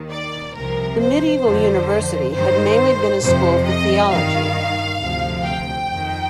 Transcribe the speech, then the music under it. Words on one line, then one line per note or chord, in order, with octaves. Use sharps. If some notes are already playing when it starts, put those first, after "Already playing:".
The medieval university had mainly been a school for theology.
Already playing: D#2 D#3
D5
C2 C3 F3 A#4
C5
F2 D3 F3
G2 D#3 C5
F2 C3 F3 C5
D#5
G2 D#3 F5
D2 C3 F3
G5
F2 D#3